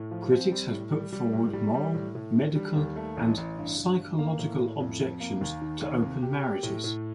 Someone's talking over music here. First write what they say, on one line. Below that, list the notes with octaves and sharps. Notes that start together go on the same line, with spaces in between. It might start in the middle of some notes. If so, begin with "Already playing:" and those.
Critics have put forward moral, medical, and psychological objections to open marriages.
Already playing: A2
F3
C4
G3
A2
G3
G3
A2
G3
G3
A2
A2
D3
G3
D#2
A3
A1
A1
G2
D3
G2
A#3
A2
A2
F2
F2
A#3
D#2
D#3
D#2
C3
G4
G4
A2
A2